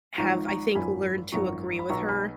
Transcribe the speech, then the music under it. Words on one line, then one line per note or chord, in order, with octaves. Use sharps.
have, I think, learned to agree with her,
G#1 G#2 F3 A#5 C#6
A#5 C#6
G#1 F#2 F3 G#5 B5
G#1 F#2 F3 A#5 C#6
B5
B1 B2 A#5 C#6
G#5 B5